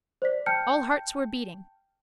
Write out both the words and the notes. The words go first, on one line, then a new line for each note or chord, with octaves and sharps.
All hearts were beating.
C5 D5 B6
G5 A5 F6 G6 C#7